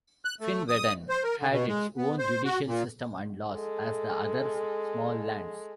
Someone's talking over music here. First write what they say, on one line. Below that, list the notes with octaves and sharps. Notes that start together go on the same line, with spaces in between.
Finnveden had its own judicial system and laws as the other "small lands".
F#6
A3
D#6
C5
A#4
D3
B2
G#3
B3
C5
F#4
A#2
G#3 A4